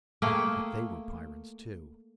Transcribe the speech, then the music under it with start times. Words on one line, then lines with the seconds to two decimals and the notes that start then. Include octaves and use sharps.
But they were Pyrrans, too.
0.22 A3 A#3 G#4 G5